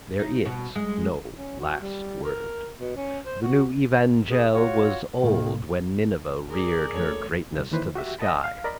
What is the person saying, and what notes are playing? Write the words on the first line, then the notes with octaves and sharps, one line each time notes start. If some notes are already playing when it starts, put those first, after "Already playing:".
There is no last word. The new evangel was old when Nineveh reared her greatness to the sky.
D#4
B2
G#3
C#4
F#4
G3
A#4
B2
C#4
C5
F#4
B2 G#4
F4 F#4 C#5
F2 A2 C3 D#3 A#3
G#4 A#4 D5
D2 A4 C#5
C2
D#2 D#3 E3 B4 C5
F#4 G4 E5
D#5 F#5 A5 B5
F5
A#4 D5 D#5 A#5 B5